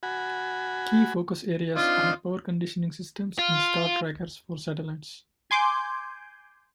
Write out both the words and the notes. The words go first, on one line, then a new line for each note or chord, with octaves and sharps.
Key focus areas are power conditioning systems and star trackers for satellites.
F#4 G#5 B5
C4 D4 D#4 F4
F4
G#5 C6 D6 G6